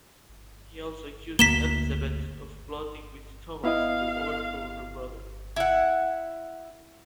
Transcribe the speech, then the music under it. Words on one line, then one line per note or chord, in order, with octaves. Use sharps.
He also accuses Elizabeth of plotting with Thomas to overthrow her brother.
D2 A#3 B6 E7 G7
B3 E4 D#5 F5
E4 F#5